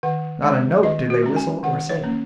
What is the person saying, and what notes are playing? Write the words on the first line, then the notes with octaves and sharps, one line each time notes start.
Not a note did they whistle or sing.
D#3 F#5
G#3 C#4
D#3 D#5
F#4
G#3 C#4
G#5
D#3 F#5
C#5
A#3 C#4